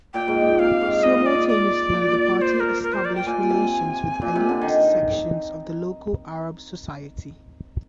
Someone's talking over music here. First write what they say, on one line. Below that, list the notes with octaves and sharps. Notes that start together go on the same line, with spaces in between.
Simultaneously the party establish relations with elite sections of the local Arab society.
A#2 G5
G#2
A#2
C3 F5
G#2
A#2 D#5
D5
D5
A#2
D5
C5
A#4
A#4
C5
D5
G5
A#2 G#5
C3
A#2
C3
D3
D#3